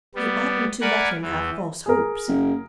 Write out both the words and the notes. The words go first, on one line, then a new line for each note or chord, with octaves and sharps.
"You oughtn't to let him have false hopes."
G3 B3
A#4 D5 F#5 G#5 B5
E2 E3
G#4 A#4
F#1